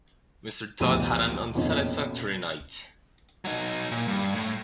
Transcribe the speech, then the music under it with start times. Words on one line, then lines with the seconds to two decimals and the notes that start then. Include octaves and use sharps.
Mr Tod had had an unsatisfactory night.
0.80 A1 D2 B2 F3 G4 D#7
1.54 F1 A#1 F2 B2 C#4 D#5
3.45 F#3 D#4
3.91 A#2
4.08 G2
4.35 A2